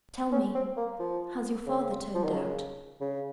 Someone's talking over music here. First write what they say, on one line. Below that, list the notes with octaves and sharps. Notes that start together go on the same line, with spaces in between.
Tell me, has your father turned out?'
C#4
C4
A#3
F3
C#3
F3
D#3
C#3
C#3